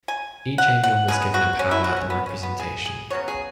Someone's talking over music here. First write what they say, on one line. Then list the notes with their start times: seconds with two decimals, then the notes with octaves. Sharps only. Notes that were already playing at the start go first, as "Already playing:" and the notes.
Each angel was given a power and representation.
0.08 G#5
0.58 F#5
0.84 F#5
1.08 C#3 G#3 B3 G#4
1.34 F#4
1.59 C#4
1.71 E4
1.84 F#4
1.97 C#4
2.10 B3
2.26 C#4
2.43 B3
2.60 G#4
2.86 G#4
3.10 C#3 F#3 B3 C#5
3.28 G#4